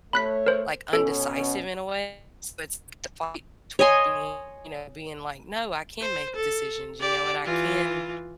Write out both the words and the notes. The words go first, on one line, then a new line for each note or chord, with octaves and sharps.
like, indecisive, in a way, so it's the fight toward being, you know being like, "No, I can make decisions, you know, and I can
A3 C#5 B5 F#6 B6
A#4 C5
B2 C#4 A4
C#5 D#5 G#5 C6
C5
A4
G4 D5
E3 F4